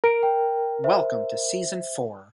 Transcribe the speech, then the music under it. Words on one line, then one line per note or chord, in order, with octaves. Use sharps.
Welcome to season four!
A#4 D7
G5
C5 E5